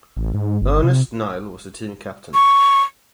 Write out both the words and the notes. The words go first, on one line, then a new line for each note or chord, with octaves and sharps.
Ernest Neill was the team captain.
A1
G#2
G1
C3
C#6